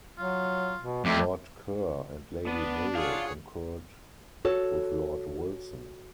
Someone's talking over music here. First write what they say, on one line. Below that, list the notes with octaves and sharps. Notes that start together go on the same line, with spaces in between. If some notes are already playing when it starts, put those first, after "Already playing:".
Lord Kerr and Lady Hale concurred with Lord Wilson.
F#3 F4
B2
F2 A3 D5
B3 D4
F4 G#4 C#5 F5 F#5
F#4 A4 C#5